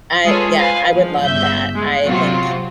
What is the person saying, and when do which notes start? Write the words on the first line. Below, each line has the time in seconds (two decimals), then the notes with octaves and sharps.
uh, yeah, I would love that. I think,
0.24 G#3 F4 G#4 A4 B4 C#5
0.57 B4 C5 F5 G#5
0.90 F3 G#3
1.24 G1 C#3 E5 G6
1.75 G#3
2.03 C3 F#3 C4 F4 F#4